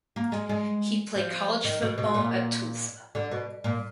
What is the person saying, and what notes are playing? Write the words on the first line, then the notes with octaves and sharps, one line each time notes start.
He played college football at Tulsa.
A#3
G#3
G#3
F3
D#3
B2
B2
A#2
D3
B2
A#2